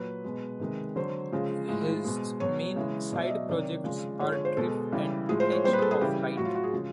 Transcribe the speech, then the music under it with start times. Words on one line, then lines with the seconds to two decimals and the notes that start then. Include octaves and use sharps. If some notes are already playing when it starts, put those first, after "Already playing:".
His main side projects are Drift and Text of Light.
Already playing: A#2 F#3 B4
0.24 B2 G#3
0.59 C3 D#3 G#3
0.96 D3 F#3 C5
1.32 C#3 F3 G#3
1.68 A2 F3 G#3
2.04 B2 G#3
2.40 B2 F#3 C#5
2.76 C#3 E3 G#3
3.12 B2 F#3 D5
3.22 E5
3.30 D#5
3.49 C3 D#3 F#3 D5
3.84 C#3 F3 G#3
4.20 D3 F3 G#3 C#5
4.32 C#5
4.45 C5
4.57 B2 G#3 A4
4.92 C#3 E3 G3
5.28 A2 F3 G#3 G#4
5.40 C5
5.52 C#5
5.64 A#2 G3 C5
5.73 B4
5.79 G#4
5.82 A4
5.91 G#4
6.01 C#3 E3 G3 G4
6.37 A2 F#4
6.41 F#3 F4
6.55 F#4
6.64 G#4
6.73 C#3 F3 G#3